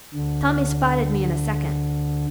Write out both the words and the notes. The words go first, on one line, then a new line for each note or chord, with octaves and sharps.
'Tommy spotted me in a second.
D2 D3